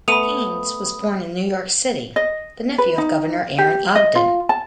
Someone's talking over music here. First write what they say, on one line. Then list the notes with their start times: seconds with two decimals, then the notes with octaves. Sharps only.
Haines was born in New York City, the nephew of Governor Aaron Ogden.
0.08 A3 B3 B5 D#6 D#7 F7
2.16 D#5
2.78 B4
2.98 D#4
3.58 G4
3.95 D#5
4.15 F4
4.49 A5